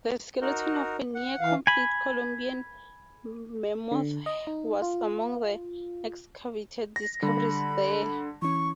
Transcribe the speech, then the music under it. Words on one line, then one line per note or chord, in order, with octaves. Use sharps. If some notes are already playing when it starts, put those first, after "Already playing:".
The skeleton of a near-complete Columbian mammoth was among the excavated discoveries there.
D#4 F#4 A#4
F#5
E3 F5
G#5 B5
D3
D#5
D#4
F4
A#6
D3 G3 B5
E3 C#4 C#6